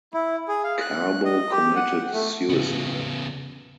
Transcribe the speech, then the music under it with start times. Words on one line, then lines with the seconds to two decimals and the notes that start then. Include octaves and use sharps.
Carbo committed suicide.
0.14 E4
0.48 G#4
0.64 F5
0.80 F#6
1.25 D#5
1.51 G4
1.76 F#5
2.13 A3
2.49 C#3 B3